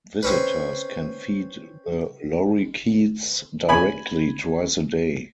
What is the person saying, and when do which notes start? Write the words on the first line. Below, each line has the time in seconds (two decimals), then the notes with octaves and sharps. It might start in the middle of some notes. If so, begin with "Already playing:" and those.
Visitors can feed the lorikeets directly twice a day.
0.23 C4 C#4 B4
3.69 G#5 B5